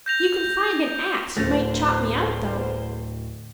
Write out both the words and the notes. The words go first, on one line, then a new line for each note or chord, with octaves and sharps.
If you can find an axe you might chop me out, though.
G6 A#6 F7
D1 E2 D3 A3 C5 A6 A#6